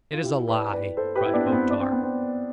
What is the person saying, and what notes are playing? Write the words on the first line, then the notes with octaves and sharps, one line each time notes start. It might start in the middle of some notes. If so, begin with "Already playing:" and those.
"It is a lie!" cried O-Tar.
F4
E4 G4
B4 D5
B4 D5
A4 C5
G4 B4
E4
B3 D4
C4
B3
D4
C4
B3
C4